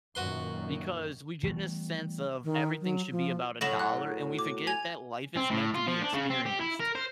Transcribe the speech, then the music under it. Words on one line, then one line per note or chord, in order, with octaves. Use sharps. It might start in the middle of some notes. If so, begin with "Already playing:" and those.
because we get in a sense of everything should be about a dollar, and we forget that life is meant to be experienced.
F#2 A#2 D#3 F#4 B4 C6
E3 G3 A3 B3
D#3
F#3
F3
A2 F#3 A#6 E7 F#7
F#5 F#6
D6
G#5 G#6 F7
C4
A2
F4
F3
D4
C#3
C4
G4
E4
A#4
C5